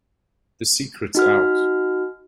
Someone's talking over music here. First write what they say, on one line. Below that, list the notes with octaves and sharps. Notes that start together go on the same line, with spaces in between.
The secret's out.
D#4 F#4 F6